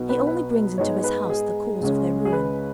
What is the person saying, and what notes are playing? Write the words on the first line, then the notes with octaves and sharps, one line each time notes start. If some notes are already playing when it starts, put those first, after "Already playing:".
He only brings into his house the cause of their ruin.
Already playing: B1 B2 B3 D#4
B4
B4
G#2 G#3 B3 D#4 C#5
B4
G#4
C#2 C#3 G#3 C#4
G#4
B4